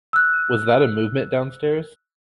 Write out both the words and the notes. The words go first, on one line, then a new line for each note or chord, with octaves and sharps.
Was that a movement downstairs?
E6 F#6